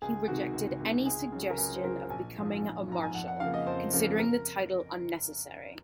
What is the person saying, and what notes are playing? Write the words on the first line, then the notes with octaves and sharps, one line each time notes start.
He rejected any suggestion of becoming a Marshal, considering the title unnecessary.
C#2 G#4
C3 D#3 G#3 F#4
C#2
C3 D#3 G#3
C#2 G#4
C#3 F#3
A#4
C#2 G#4
C5
C#3 F#3 A#4
A#1 G#5
G#2 F3
A#1
G#2 F3 A#5
G#5
F2 F#5
F#5
C#3 F3 A#3 F5
D#5
F2 C5
C#3 F3 A#3
A#4